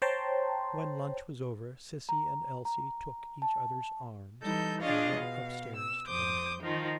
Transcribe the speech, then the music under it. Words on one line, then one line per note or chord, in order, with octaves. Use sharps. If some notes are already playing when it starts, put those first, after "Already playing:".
When lunch was over Cissy and Elsie took each other's arms and went upstairs together.
C5 C#5 G5 A5 A#5 C6
A#5
A#5
A5
E3 G3 D#4 A4 G6
D4 F4 G#4 C#5 D#5 F5
B2 F5
E6
F2 C5 D6 D#6 G6
D#3 F3 D#4 F4 A#4